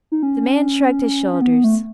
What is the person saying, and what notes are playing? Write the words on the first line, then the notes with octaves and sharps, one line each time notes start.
The man shrugged his shoulders.
D#4
C#4
C#4
B3
A3